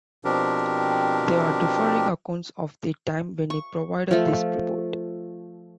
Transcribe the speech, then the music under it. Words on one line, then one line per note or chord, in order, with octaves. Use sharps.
There are differing accounts of the time when he provided this report.
B2 F3 C4 D4 G4 A#4
C#6
F3 A3